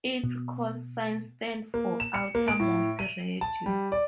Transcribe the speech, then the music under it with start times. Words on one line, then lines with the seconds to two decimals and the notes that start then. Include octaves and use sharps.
Its call-sign stands for "OuterMost Radio".
0.24 B2
1.74 A#3
2.00 E7
2.14 C#7
2.35 A#3
2.48 D7
2.60 A2
2.99 D#7
3.41 A5
3.66 G3
3.92 D5